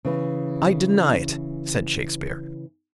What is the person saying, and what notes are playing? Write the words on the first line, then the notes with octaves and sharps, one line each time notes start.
"I deny it," said Shakespeare.
C#3 E3